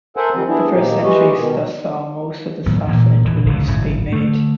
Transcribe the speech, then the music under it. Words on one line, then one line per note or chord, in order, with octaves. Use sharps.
The first centuries thus saw most of the Sassanid reliefs being made.
A4 A#4 C5 E5 F#5 G#5
D#3 F3 G3 C4
B3 D4 E4 G#4
A#2 D#3 F3 D#4 G4
E3 G3 G#3 F#4 G4 D#5
B2 D#3
A2 D#3 F#3 B3
A#2 E3 A#3
D#1 E3
G1 C#2
D1 G#1 C#3
D3 A3